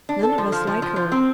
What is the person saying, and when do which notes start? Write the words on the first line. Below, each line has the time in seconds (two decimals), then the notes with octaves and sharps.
"None of us like her."
0.09 D4
0.23 A4
0.38 F3
0.52 F3
0.67 F3
0.82 F3
0.96 F3
1.12 C4